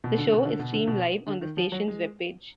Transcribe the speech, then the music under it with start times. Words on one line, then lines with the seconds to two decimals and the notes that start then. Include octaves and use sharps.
The show is streamed live on the station's webpage.
0.04 B2
0.18 D3
0.32 B2
0.45 D3
0.59 B2
0.73 D3
0.87 B2
1.27 D3
1.41 D#3
1.57 F3
1.72 F#3
1.88 G#3